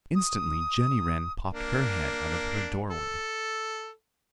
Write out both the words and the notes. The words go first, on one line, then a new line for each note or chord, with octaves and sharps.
Instantly Jenny Wren popped her head out of her doorway.
D#6
A#3 D4
A4